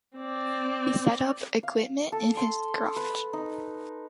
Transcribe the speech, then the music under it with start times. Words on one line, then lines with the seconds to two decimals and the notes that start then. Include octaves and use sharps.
He set up equipment in his garage.
0.17 C4 D5
1.63 F5
2.12 A4
2.37 C6
2.96 B4
3.33 D#4